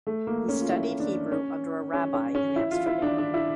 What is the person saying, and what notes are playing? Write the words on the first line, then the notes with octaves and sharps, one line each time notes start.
He studied Hebrew under a Rabbi in Amsterdam.
A3
A#3
C#4
F4
E4
D4
C#4
C#4
C#4
C#4
E4
F4
E4
D4
D4
E4